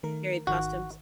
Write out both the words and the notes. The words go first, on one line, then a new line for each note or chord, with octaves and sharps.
period costumes?
D#3 A3 A#4
G#1 D#3 F#4